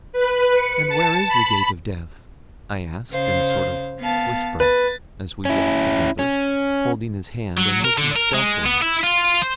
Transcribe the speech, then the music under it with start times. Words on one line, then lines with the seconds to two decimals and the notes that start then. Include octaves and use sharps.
'And where is the gate of death?' I asked in a sort of whisper, as we walked together, holding his hand, and looking stealthily.
0.13 B4
0.55 C#7
0.89 A5
1.28 B5
3.10 C#3 C5 F5
3.99 B3 F5 A5
4.60 B4 A6
5.45 C#4 E4
6.19 C#4
7.58 F#3
7.85 A#4
7.98 D3
8.16 A#4
8.34 G#3
8.66 B3
8.82 E4
9.03 F4
9.42 C5